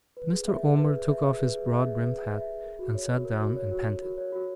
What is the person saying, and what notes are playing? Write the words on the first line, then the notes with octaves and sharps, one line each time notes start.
Mr. Omer took off his broad-brimmed hat, and sat down and panted.
B4
G#4
E5
G#4
B4
G#4
E5
G#4
B4
G#4
E5
G#4
B4
G#4
E5
G#4
A#4
F#4
C#5
F#4
A#4
F#4
C#5
F#4
A#4
F#4
C#5
F#4